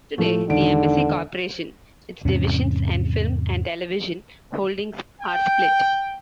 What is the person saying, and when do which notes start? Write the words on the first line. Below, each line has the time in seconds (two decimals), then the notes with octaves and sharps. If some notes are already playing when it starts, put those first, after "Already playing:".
Today, the Embassy corporation, its divisions and film and television holdings, are split.
0.18 A2 F3 A3
0.49 E1 D3 D#3 D7
2.25 E2 G#2 C3 C#4
5.21 G5